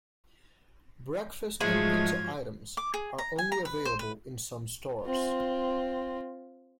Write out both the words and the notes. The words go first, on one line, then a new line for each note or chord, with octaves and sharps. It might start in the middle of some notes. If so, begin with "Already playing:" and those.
Breakfast and pizza items are only available in some stores.
G#2 F3 F#3 G#3 A3 F4 G#6
D6
G#4
A#5
G#5
A#5
B4
C5
B4
C4 F4